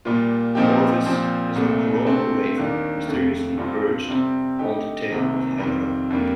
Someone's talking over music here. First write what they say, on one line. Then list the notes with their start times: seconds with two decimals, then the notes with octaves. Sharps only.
Corvus is the Crow or Raven mysteriously perched on the tail of Hydra.
0.05 A#2 G3 A#3 F4
0.55 A#2 F3 C4 D#4 G4
1.06 A#2 F3 C4
1.56 C2 A#2 A3
2.06 D3 A3 C4
2.58 D#2 D#3 A#3 D4
3.07 F2 D3 A3
3.58 G2 D3 G3 C4 F4
4.09 C3 G3 C4
4.59 D3 A3 D#4 G4
5.10 C2 C3 D#3 A#3
5.59 F2 D#3 G3 C4
6.10 F2 D3 G3 A#3